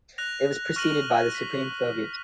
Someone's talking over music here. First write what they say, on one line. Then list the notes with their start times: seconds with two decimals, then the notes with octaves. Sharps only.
It was preceded by the Supreme Soviet.
0.18 F#6 A#6 F7
0.76 C#6 F6 A#6 D#7 F#7
1.35 B6